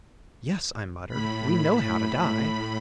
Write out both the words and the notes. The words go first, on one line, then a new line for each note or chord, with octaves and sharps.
"Yes," I muttered, "we know how to die!"
A2 B5